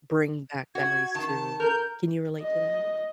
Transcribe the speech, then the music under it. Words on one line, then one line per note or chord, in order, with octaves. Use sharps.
bring back memories too. Can you relate to that?
F#4 G#6
D#3 A5
A#4 G6
D#5